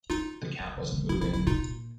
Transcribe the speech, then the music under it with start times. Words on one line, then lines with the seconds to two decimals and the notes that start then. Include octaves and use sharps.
The cat wasn’t moving.
0.10 D#3 D#4 F4
0.60 F#3
0.76 F#3
0.93 D#3
1.09 C#3 E4
1.22 B2 E4
1.34 A#2 E4
1.47 B2 D#4 F4
1.60 A#2